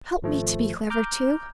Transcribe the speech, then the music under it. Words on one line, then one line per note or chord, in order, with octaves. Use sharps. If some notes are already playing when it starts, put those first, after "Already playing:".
Help me to be clever too.'
G#1 F3 A3
A#5 D6 F6 G6